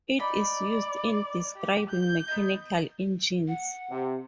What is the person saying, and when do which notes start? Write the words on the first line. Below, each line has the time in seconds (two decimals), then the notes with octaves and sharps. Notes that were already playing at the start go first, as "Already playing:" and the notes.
It is used in describing mechanical engines.
0.19 D#4 D5 B5
1.56 G4
1.90 G6
2.28 B3 D#4
3.48 F#5
3.90 C3